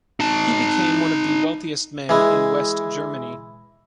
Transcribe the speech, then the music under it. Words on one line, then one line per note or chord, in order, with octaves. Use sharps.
He became one of the wealthiest men in West Germany.
D#4 A5
E3 G#3